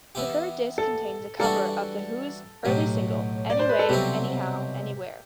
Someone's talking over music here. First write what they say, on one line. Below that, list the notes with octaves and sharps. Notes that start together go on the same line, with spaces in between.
The third disc contains a cover of The Who's early single "Anyway, Anyhow, Anywhere".
E3 B3 E4 G4
A4
E3 G3 D4 F#4 A4
B1 A2 F#3 G4
D5
C5
B4
A4
C2 B2 F#3 C4 E4 G4